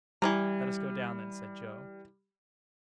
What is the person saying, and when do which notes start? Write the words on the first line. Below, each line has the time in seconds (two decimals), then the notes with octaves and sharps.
"Let us go down, then!" said Joe.
0.22 E3 F3 G3 A#5